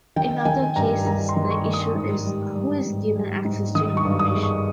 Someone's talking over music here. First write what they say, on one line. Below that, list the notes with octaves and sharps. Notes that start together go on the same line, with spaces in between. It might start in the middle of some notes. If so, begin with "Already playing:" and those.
In other cases the issue is who is given access to information.
D#3 G5
D#3 G#5
G2 A#5
D#3 A#5
C6
D#3
C#6
D#3
D#6
G#2
G3
G3
G#2
G3
G#2
D#3 D#6
C#6
G2
D#6
G#3
C#6